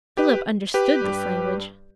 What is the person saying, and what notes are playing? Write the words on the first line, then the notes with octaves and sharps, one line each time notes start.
Philip understood this language.
G4 B4
G4 B4
G2 G3